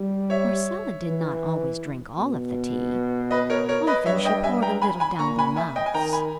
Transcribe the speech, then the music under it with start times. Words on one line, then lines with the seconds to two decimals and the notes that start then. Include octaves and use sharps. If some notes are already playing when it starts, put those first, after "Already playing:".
Marcella did not always drink all of the tea, often she poured a little down their mouths.
Already playing: G3
0.30 C#5 E5
1.06 E3
2.18 B2
3.31 B4 D#5
3.50 A#4 C#5
3.69 A#4 C#5
3.87 B4 D#5
4.06 G2 C#5 E5
4.25 D#5 G5
4.43 G2 E5 G#5
4.62 G5 A#5
4.82 G#5 B5
5.00 G#5 B5
5.19 A#2 A#5 C#6
5.39 G#5 B5
5.56 E5 G#5
5.76 D#5 G5
5.86 G#5
5.94 D#3 G5 A#5
6.13 G#5 B5